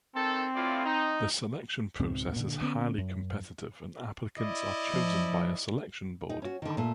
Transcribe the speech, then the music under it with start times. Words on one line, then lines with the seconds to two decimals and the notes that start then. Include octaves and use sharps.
The selection process is highly competitive, and applicants are chosen by a selection board.
0.15 D#3 C4 A4
0.55 A2 F4 D5
0.85 D#4
1.99 C#2 G#2 B2 C4
2.36 A#2 D3
2.61 D3 B3 C#4
2.98 F#2
4.38 E4 D5 D#5
4.94 F3
6.30 D#4
6.42 C#4 F#4
6.62 D3 D#3
6.77 A#2 A3